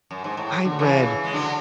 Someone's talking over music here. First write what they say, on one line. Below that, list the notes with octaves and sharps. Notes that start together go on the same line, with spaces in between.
I read
F#2
G#2
A2
D3
C#3 E3
G#3
D3 F#3